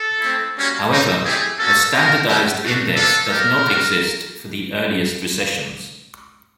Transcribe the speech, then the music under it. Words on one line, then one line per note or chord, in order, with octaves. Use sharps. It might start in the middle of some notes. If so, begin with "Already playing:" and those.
However, a standardized index does not exist for the earliest recessions.
Already playing: A4
A3 C4 E4
G3 A#3 C#4 F#4
A3 C4 D#4
A3 C4 E4 G4 G#4
A#3 C#4 F#4 A4
A#3 D#4 F#4 A#4
B3 E4 G4
A3 D4 F#4
A#3 D4 F4 A4
A#3 D#4 G4 A#4
G3 B3 D4 F#4